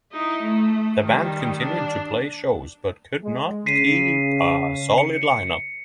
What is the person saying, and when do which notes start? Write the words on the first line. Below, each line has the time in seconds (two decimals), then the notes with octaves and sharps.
The band continued to play shows but could not keep a solid line up.
0.12 D#4 E4
0.43 A3
1.05 D#3 G3
1.60 D4
3.23 G#3
3.66 C#3 B6 C7 D#7
4.98 C#7